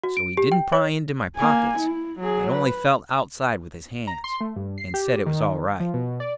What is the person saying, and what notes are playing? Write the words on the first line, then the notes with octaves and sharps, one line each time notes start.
So he didn't pry into my pockets, but only felt outside with his hands, and said it was all right.
F#4
D7
G4
G5
C#5
A#3 G#5
E4
F#3 G#4
B4
A#5
C6
A3
G2
C7
G4
D#3
F3
B2
D5